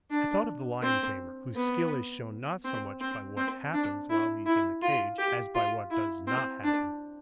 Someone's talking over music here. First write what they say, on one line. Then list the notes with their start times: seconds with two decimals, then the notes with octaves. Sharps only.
I thought of the lion-tamer, whose skill is shown not so much by what happens while he is in the cage as by what does not happen.
0.10 D4
0.82 C4
1.56 B3
2.64 C4
3.01 C4
3.37 C4
3.73 D4
4.10 E4
4.46 E4
4.82 F4
5.18 G4
5.55 F4
5.91 E4
6.27 C4
6.63 D4